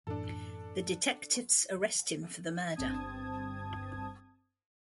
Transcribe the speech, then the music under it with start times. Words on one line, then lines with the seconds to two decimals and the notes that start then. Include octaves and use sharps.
The detectives arrest him for the murder.
0.07 F#2 A2 E3 D4 A4
2.76 G1 G2 C4 A5 D#6 G#6